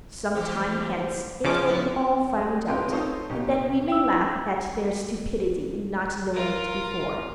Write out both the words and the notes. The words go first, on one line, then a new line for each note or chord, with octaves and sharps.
Some time hence it will be all found out, and then we may laugh at their stupidity in not knowing it before.
E2 C4 G4
A#2 C#3 F3 D6
F2 B3 E4
G3
C3 C#4 F4 B4 G5 C6
D#4 F4 A4 C5 C#5 D#6
B1 C#3 G4
G5 E6
F4 A#4